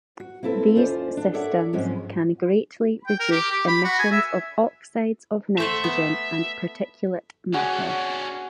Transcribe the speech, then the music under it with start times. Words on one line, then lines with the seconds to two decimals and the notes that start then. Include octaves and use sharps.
These systems can greatly reduce emissions of oxides of nitrogen and particulate matter.
0.20 F#4
0.43 A#3 C4 E4 A4 B4
0.75 D#2 C#4 F4 C5 D5
1.17 D4
1.34 A4 A#4 C#5 D5 E5 F#5
1.73 G#2 F3 F#3 G#3 C4 C#4
3.07 G5
3.20 A#4
3.31 G4
3.51 G4
3.68 B5
3.85 F#4
3.99 G#5
4.12 E5
5.58 A3 C5 E5 F#5
5.84 B3
7.54 C#4 D4 F#4 G#4 F#5